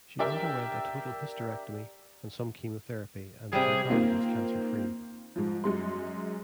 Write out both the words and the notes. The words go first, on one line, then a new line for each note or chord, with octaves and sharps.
She underwent a total hysterectomy and some chemotherapy, and is regarded as cancer-free.
D4 G4 A#4 D5 E5 G5
C3 G3 G4 G#4
D#3 A#3 C4 F4
G#2 F3
F#2 G#3 C6